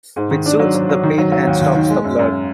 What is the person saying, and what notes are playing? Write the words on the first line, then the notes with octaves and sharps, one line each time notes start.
Which soothes the pains and stops the blood.
G#2
D#3
D4
F#3
F#3
F#3
D#3
F#3
F#3
D#2
D#2
D#3
G#3
F#2
F#2